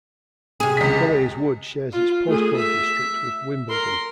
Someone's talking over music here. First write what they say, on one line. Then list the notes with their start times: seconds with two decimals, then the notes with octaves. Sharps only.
Colliers Wood shares its postcode district with Wimbledon.
0.60 C3 G#4
0.77 C#2 B6
1.92 F4
2.27 A3 G#4
2.56 E5
3.69 A#4 C6